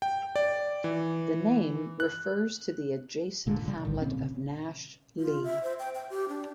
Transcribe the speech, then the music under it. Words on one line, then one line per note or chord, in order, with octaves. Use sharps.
The name refers to the adjacent hamlet of Nash Lee.
G5
D5
E3
F#6
F#1 A#2 D3
C#3 G3
E1 A#1 A2 D3
A#2 C#3 C4 C#4
F4
E5
C5
G5
G5
G4
D4